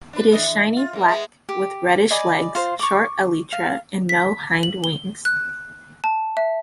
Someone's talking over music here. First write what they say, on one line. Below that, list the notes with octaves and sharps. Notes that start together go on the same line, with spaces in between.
It is shiny black with reddish legs, short elytra and no hind wings.
D4 B4
E3 D4 D#5
E2
F4
F#2 A#3
G#3 B3
G4
D5 D#5 G#5 B5
F4 C5
C#6 D6
F5
B6
F#7
G7
F#6
A5
E5